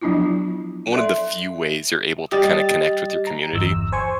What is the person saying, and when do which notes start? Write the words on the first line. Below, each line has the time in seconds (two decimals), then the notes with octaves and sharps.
one of the few ways you're able to kinda connect with your community,
0.01 F3 F#3 B3 D4 E4 F4
0.93 A4 D5 E5 C6
2.32 G3 G4 D#5 A6
3.27 A#5
3.53 G1 E2 E6
3.92 C5 G#5 C#6